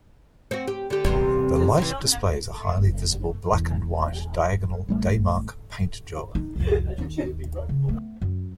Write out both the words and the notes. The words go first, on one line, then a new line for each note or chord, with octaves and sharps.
The light displays a highly visible black and white diagonal Daymark paint job.
C4 F#4
G4
D3 G4
E2 C3 G3
C3 E3
F#1
E1 E2
A1 G3 A3
D4 D#4
C2 F2
D#2
C#3
A3 B3
F#2